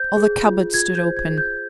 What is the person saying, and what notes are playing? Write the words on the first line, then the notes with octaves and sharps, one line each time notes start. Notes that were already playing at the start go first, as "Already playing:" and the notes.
All the cupboards stood open.
Already playing: C5 G6
G#4
F4
F4 G#6
G6
C5
G#6
G#4
G6